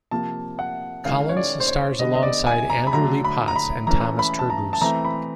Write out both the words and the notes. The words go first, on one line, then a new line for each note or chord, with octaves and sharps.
Collins stars alongside Andrew Lee Potts and Thomas Turgoose.
C3 F3 A#3 A5
F#5
D#3 G#3 C#4 E4 F5
C#5
D5
C5
C#5
D3 G3 B3 D#5
D#5
D5
G#5
A#5
B5
D3 F#3 A3 D4 A#5
B5
A#5
B5
E3 A3 C#4 A#5
B5
A5
A#5
A5
E3 A3 C4 A#5
B5